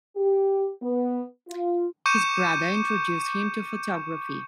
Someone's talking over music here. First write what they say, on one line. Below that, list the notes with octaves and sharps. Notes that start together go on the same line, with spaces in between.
His brother introduced him to photography.
G4
B3
F4
C#6 D6 G6 C#7 D#7 E7